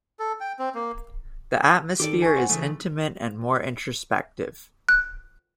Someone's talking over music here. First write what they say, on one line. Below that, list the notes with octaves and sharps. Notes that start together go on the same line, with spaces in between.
The atmosphere is intimate and more introspective.
A4
G5
C4
A#3
D#3 G4 A4 D5
G#5 C#6
C5 C#5 F#5
C#3 E3 A3
F#6